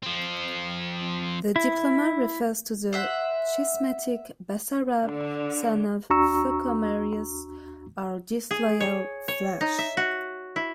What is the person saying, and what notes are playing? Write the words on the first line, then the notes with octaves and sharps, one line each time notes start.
The diploma refers to the schismatic Basarab, son of Thocomerius, our disloyal Vlach.
F3 C4
E4
C5 E5 F#5
D3
D#2 D4 F#4 A#5 C#6 E6
G#4
C#5
C#5
D#4
E5
F#4
E4